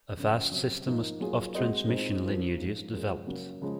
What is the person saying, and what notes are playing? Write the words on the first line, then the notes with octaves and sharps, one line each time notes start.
A vast system of transmission lineages developed.
F#2 C#3 F3
C#3 F#3 C4
G#2 F3 A#3 D#4
F#3 A#3 F4 G#4
G#3 C4 F#4 C5 D#5
A#2 G#3 C4 D#4
F#2 F3 C4 F4
G#2 F3 G#3
F#2 F3 G#3
C#3 F#3 A#3
C#3 F3 G#3